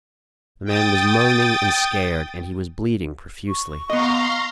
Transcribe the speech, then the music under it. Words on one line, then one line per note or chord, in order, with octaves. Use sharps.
The man was moaning and scared, and he was bleeding profusely.
G5 D#6 A6
C#6
B3 D#5 F5 A#5 C6